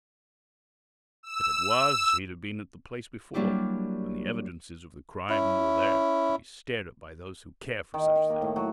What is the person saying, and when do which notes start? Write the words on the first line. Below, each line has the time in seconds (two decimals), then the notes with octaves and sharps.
If it was, he'd have been at the place before, when the evidences of the crime were there to be stared at by those who care for such things.
1.23 E6
3.34 F#3 G3 A#3 D4 E4 G4
5.29 C#4 E4
7.94 D#3
8.16 G5
8.30 A#3
8.42 A2
8.56 F#3